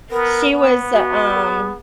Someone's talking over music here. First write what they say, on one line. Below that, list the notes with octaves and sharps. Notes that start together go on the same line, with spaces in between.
she was, uh, um
B3 A#4
B3
F#4
A#4
G#4